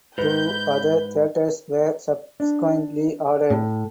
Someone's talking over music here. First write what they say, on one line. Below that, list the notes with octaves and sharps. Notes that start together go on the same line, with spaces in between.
Two other theatres were subsequently added.
G#2 B4 B5 G6
D4
A2